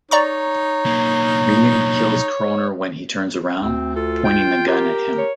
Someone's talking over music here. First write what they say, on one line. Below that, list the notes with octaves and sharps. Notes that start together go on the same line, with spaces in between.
Regan kills Kroner when he turns around, pointing the gun at him.
D#4 C#5 D5 A#5 C#6
B1 A#3
D2 C4
F4 A4
G5
G4 A#4
C#5